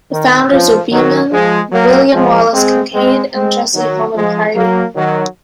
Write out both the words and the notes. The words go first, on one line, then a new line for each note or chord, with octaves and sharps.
The founders were Beeman, William Wallace Kincaid and Jesse Homan Pardee.
D#3
F3
D#3 F#3
F3 G#3
F#3 A#3
F3 G#3
G#3 C4
G#3 C4
G#3 C4
D#3 F#3
F3 G#3
F#3 A#3
D#3 F#3